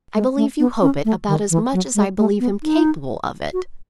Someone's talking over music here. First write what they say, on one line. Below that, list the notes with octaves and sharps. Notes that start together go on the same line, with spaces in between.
"I believe you hope it about as much as I believe him capable of it."
G#3
A3
B3
C#4
A3
D#3
E3
F#3
G#3
A3
B3
D#4
F#4